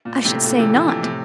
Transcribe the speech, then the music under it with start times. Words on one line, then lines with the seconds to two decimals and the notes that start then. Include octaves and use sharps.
I should say not!
0.05 A#2
0.25 A2 C3
0.44 A#2 D3
0.59 C3 E3
0.73 D3 F3
0.88 C3 E3
1.03 A2 C3